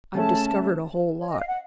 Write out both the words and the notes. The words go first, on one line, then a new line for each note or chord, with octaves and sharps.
I've discovered a whole lot.
C#3 A3 C#4 A5
C#5
D#5
F5
F#5